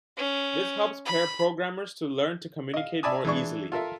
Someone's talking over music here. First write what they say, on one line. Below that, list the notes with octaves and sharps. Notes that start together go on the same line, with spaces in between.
This helps pair programmers to learn to communicate more easily.
C#4
B5
D#5 F5
D5 E5 G#5 A5 B5 D#6
E3 G#3 D4 C#6
F4 A4 A#4 E5